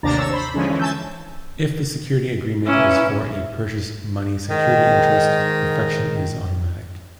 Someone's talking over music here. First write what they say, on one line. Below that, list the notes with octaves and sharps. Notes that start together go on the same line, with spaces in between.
If the security agreement is for a purchase money security interest, perfection is automatic.
A1 D#2 C3 D4 A#5 A6
C#5 E6
C5 B5
D3 F3 G#3 C#4
E3 C#4
G#5 A5 E6 G6
E3 A#3 C#4 E4
G#2 D#3